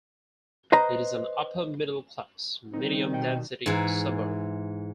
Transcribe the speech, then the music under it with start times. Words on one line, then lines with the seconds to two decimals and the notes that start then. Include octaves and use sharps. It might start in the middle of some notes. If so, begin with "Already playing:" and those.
It is an upper middle class, medium-density suburb.
0.72 B4 C5 D#5 A#5
2.74 D#3 G3 C4 D#4
3.13 B2 D#5 G5
3.66 G#2 E3